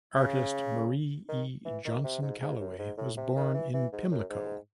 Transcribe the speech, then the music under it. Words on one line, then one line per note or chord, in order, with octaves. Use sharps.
Artist Marie E. Johnson-Calloway was born in Pimlico.
C#3
D#3
E3
D#3
C3
G#2
G#2
F#2
G#2
A2
C3
D#3
E3
E3
G#2
F#2
G#2